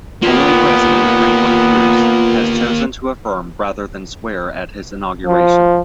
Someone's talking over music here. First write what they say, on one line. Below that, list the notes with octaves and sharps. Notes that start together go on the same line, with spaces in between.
Only President Franklin Pierce has chosen to affirm rather than swear at his inauguration.
A#2 A#3 B3 F4 G4
F3